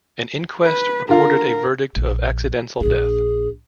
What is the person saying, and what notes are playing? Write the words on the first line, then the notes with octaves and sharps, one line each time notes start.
An inquest recorded a verdict of accidental death.
B4
D3 F4 A#4 F5
A#1
A#1 D4 G#4